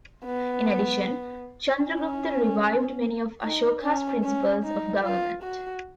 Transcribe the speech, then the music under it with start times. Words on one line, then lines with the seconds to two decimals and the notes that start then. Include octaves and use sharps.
In addition, Chandragupta revived many of Ashoka's principles of government.
0.25 B3
1.84 C#4
3.43 D#4
3.83 C#4
4.23 C#4
4.63 D#4
5.03 F4
5.43 F#4